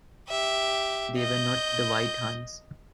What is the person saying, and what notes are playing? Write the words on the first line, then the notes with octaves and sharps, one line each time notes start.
They were not the White Huns.
G4 E5
D#5 G6